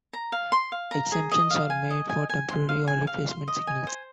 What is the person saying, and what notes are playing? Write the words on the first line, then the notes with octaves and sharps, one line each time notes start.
Exemptions are made for temporary or replacement signals.
A#5
F5
C6
F5
A#5
G#4
D#5
F5
G#5
D#5
G#5
G#5
C6
F5
G#5
F5
C6
D#5
G#5
C5